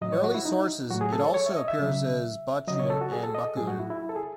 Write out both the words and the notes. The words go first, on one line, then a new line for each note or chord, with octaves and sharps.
In early sources, it also appears as "Bachun" and "Bacun".
A2 F#3 D#5
C#5
F#4
E4
D#4
A2 F#3 F#4
G#4
A4
C#5
C#5
E5
D#5
E5
C#3 F#3
C#3 F#3 D#5
C#5
A4
F#4
G#4
A4
D#5
A2 F#3 G#4
F#4
E4
E4
A4
G#4